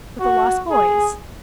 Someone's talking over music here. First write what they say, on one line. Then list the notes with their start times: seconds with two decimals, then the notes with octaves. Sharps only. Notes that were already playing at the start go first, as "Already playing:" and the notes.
"With the lost boys."
0.19 F#4
0.70 G#4